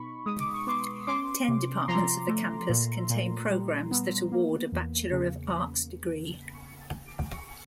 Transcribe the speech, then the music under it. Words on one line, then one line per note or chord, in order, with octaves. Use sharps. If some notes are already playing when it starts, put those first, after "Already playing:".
Ten departments of the campus contain programs that award a Bachelor of Arts degree.
Already playing: B2 D#4 B5 C#6
G#3 D#6
D6
C#6
B3 C6 D6
C#4 C6 D6
C3
F3 A#5 C6
A3
A#2
A#2
G3
B3
A#3
E2
C#3